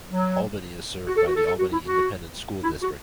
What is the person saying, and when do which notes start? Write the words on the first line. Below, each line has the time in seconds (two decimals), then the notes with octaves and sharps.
Albany is served by the Albany Independent School District.
0.10 F#3
1.07 F#4
1.17 A4
1.27 F#4
1.36 A4
1.47 A4
1.59 F#4
1.72 E4
1.85 F#4
2.64 E4
2.82 F#4